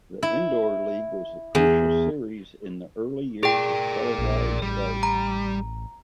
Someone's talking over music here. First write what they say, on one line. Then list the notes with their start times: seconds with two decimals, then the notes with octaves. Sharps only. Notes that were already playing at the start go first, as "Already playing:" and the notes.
The Indoor League was a crucial series in the early years of televised darts.
0.23 E4
1.55 E2
3.43 G#4 A#4 D5 G5
4.19 A#1
4.62 A1 G3
5.03 A#5